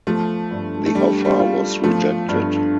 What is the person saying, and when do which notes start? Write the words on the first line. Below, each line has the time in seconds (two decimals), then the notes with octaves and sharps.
The offer was rejected.
0.07 F3 A3
0.51 G2
0.86 A3
0.95 G3 D4
1.25 G3
1.40 F4
1.84 F3 A3
2.28 G2